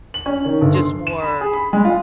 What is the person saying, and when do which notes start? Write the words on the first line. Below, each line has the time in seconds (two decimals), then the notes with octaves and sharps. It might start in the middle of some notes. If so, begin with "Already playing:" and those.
just more
0.14 F#7
0.26 C#4
0.45 D#3
0.61 G1
0.74 C6
1.07 E7
1.22 B5
1.41 G#4
1.53 B5
1.73 G#3
1.85 F4